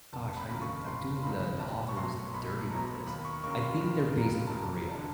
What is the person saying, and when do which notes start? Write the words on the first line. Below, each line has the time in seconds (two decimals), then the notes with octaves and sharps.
Gosh, I I'm doing the the authors dirty with this. I think they're based in Korea,
0.13 F1 A5
0.37 B5
0.49 D#2 C#3 F#3
0.62 C#6
0.86 F1 C6
1.23 D#2 C#3 F#3 B5
1.59 B1 A5
1.89 C#6
1.96 B2 F#3 A3 C6
2.34 B1 B5
2.70 B2 F#3 A3 A#5
3.07 D#2 B5
3.25 C#6
3.44 C#3 F#3 A#3 C#6
3.62 C6
3.81 D#2 B5
4.17 C#3 F#3 A#3 A#5
4.47 A5
4.54 F1 A#5
4.91 D3 A5